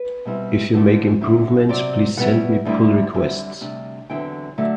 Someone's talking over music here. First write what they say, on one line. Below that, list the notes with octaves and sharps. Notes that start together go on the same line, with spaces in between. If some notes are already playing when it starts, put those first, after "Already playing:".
If you make improvements, please send me pull requests!
Already playing: B4
B2 G3 C4 E4
G2 D3 A3
D3 F#3 C4 E4
C3 F#3 C4 D5
B2 G3 B3 E4 F#5
D2 D3 G3 C4 E4
F#2 D3 G3 C4 E4
D2 C3 G3 D4
E2 D3 F#3 C4 E4 G5
D3 F#3 A3 E4